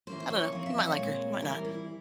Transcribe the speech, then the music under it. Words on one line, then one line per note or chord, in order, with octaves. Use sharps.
I don't know. You might like her. You might not.
E3 A#3 C#4 C5
C#5
F3 C4 C#5
E5
C#5
A#2 G#3 C4
E3 G3 C4 A#4
E4